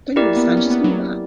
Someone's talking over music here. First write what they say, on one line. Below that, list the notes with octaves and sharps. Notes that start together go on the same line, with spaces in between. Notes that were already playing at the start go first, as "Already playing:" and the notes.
Don't you understand, she's coming back!
A#3 E4 G4 A#4 D5
B3
C#4
B3
F#3